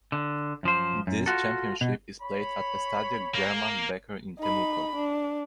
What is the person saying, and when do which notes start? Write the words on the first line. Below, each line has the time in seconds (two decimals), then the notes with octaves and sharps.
This championship is played at Estadio German Becker in Temuco.
0.12 D3
0.63 F#2 F3 C5
1.07 F#2
1.26 F4 F#4 A4
1.81 B2
2.22 C#5 B5
3.35 A#3
4.39 D#4 B5
4.95 D4